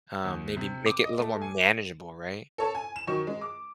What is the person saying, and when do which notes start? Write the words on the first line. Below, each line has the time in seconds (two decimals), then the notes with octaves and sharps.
um, maybe make it a little more manageable, right?
0.24 D#2
0.57 C3
0.86 D6
1.04 D#5
1.18 A3
1.42 G#5
2.58 A4 C#5 A5
2.75 G#5
2.96 E7
3.07 D#3 F#3 C#6
3.27 G#3
3.41 D6